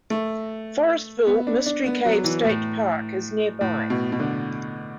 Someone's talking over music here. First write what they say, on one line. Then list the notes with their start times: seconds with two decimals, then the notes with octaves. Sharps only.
Forestville Mystery Cave State Park is nearby.
0.10 A3
1.27 B3
1.47 D4
1.66 D4
1.86 B3
2.05 F#3
2.24 E3
2.45 A2
3.61 A2
3.90 B2
4.12 B2
4.20 D3